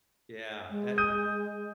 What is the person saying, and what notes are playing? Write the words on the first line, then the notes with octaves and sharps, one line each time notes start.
Yeah. That
G#3
D#6 G6 D#7